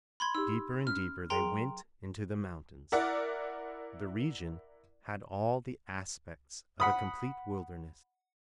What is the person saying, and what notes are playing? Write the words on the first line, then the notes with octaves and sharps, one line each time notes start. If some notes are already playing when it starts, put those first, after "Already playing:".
Deeper and deeper they went into the mountains. The region had all the aspects of a complete wilderness.
B5 C6 G#6
D#4 G4 E6
C#4 F6
F#3 G#4 A#4 G5 A#5 C6
E4 A#4 D5 F#5
F#5 B5 D#6